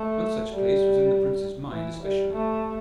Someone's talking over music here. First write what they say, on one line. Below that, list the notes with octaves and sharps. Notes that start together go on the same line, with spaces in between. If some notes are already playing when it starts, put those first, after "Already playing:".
One such place was in the prince's mind especially.
Already playing: A3
G3
E3
G3
A3